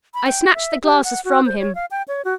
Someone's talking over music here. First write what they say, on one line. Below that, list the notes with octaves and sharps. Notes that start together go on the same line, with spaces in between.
I snatched the glasses from him.
B5
G5
E5
G4
F#5
F#4
C5
C#5
F5
G5
C#5
F#4